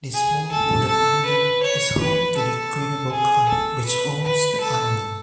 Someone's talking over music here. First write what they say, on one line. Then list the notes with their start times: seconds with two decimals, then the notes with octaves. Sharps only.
This small wooded Island is home to the Quinnebog Club, which owns the island.
0.14 G#4
0.51 A4
0.88 A4
1.26 B4
1.63 C#5
2.00 B4
2.37 A4
3.11 G#4
3.49 A4
3.86 B4
4.23 B4
4.61 A4